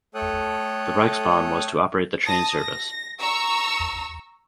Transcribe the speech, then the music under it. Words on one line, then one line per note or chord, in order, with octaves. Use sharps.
The Reichsbahn was to operate the train service.
A3 A4 C#5 G5 D#6 F#6
A5 D#6 A#6
A#6
A#5 C#6 E6